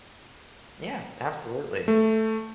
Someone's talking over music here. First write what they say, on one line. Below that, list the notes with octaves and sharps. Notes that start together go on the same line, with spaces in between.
Yeah, absolutely.
A3